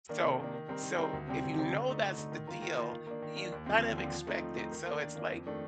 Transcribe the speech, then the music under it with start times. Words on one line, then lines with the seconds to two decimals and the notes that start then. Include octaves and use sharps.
So so, if you know that's the deal, you kind of expect it, so it's like
0.09 D#3 A#3 D4
0.24 C3
0.39 D#3 A#3 D4
0.54 D#3
0.68 G3 C4 D#4 A#4
0.83 D#3
0.98 G3 C4 D#4 A#4
1.13 D2
1.28 C3 G3 C4 G4
1.44 D2
1.58 C3 G3 C4 G4
1.73 D3
1.88 A3 D#4
2.03 D3
2.17 A3 D#4
2.32 D#3
2.47 A#3 F4 A#4
2.62 D#3
2.78 A#3 F4 A#4
2.93 D#3
3.07 A#3 D4
3.22 D#3
3.36 A#3 D4
3.52 D#2
3.66 D3 F3 C4
3.82 D#2
3.97 D3 F3 C4
4.11 F3
4.27 A3 C4 D#4
4.41 F3
4.56 A3 C4 D#4
4.72 D#3
4.86 A#3 D4
5.01 D#3
5.16 A#3 D4
5.31 F2
5.47 D#3 A3 D4